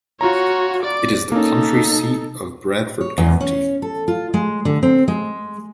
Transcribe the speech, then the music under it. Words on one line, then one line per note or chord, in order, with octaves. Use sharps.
It is the county seat of Bradford County.
F4 F#4 C#5 A#5
D5 D6
A#3 C#4 D#4 A4
C#5
E2
C#4
A4
F4
G#3
D3
C4
G#3